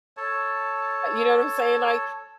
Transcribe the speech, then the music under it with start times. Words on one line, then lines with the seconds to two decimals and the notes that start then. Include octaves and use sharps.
you know what I'm saying, like,
0.17 A4 C#5 A5